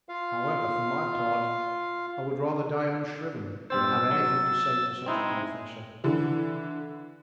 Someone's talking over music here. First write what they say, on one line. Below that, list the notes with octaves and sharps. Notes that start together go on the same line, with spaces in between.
However, for my part, I would rather die unshriven than have anything to say to such a confessor.
F4 F5
G2 C4 C5 E6 A6
F#3
G#3 C4 D#4 E4
D3 E3